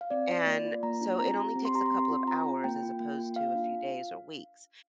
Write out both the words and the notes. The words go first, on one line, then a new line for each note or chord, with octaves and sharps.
And so, it only takes a couple of hours as opposed to a few days or weeks.
F5
C4 D5
F4
A#3
F4
A#3 A#5
D4 F4
C4 A#5
G4
C4
C6
G4 A#5
C6
C4
F4
C4 A#5
F4
A#3 G5
F4
A#3
F4
A#3 F5
D4 F4